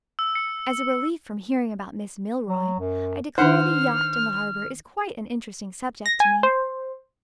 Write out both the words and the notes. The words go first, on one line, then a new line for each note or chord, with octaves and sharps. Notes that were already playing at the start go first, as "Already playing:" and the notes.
As a relief from hearing about Miss Milroy, I declare the yacht in the harbor is quite an interesting subject to me!
E6
C#7
F#3
F#2
D#3 D4 D#4 C5 F#5 F6
A#6
G#5
C5